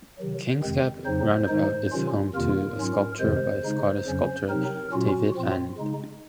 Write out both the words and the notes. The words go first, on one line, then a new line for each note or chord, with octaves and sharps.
Kings Gap roundabout is home to a sculpture by Scottish sculptor David Annand.
C3 D#3 F#3
F2 C3 D#3 G#3 C4
F2 C#3 F#3 C4 D#4 C5
G#2 D#3 G#3 D#4 C5
C3 D#3 F#3 C#4 F4
F2 C3 D#3 A#3 F4 A#4
G#2 F#3 C#4 F4
F2 C3 D#3 G#3 C5
C#3 G#3 D#4
F2 C#3 F#3 C#4
C3 F#3 C4 D#4 A#4
A#2 F#3 C#4 F4 F#4
A#2 F3 C4 F4
C#3 G#3 D#4